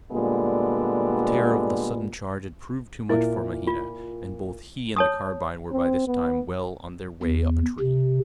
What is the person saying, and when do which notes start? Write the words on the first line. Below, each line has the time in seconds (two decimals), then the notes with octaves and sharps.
The terror of the sudden charge had proved too much for Mahina, and both he and the carbine were by this time well on their way up a tree.
0.11 A#2 D3 G3 G#3 B3
3.09 A#2 E4 A#4 E5
3.67 F4
4.96 C#5 A5 D#6
5.72 C4
6.08 B3
7.23 E2
7.80 C3